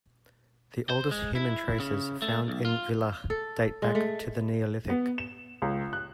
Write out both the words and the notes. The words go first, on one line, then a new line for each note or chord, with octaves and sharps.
The oldest human traces found in Villach date back to the Neolithic.
C5
G#3
E4
C#3
A3
B1
F4
A4
G#3
A3
B3
E7
C#2
F#6